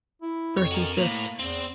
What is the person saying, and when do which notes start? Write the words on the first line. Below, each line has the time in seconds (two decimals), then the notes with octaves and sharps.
versus just,
0.22 E4
0.57 F2 C#5
0.71 F#4 A#4
0.98 A2 A#3
1.39 E2 C4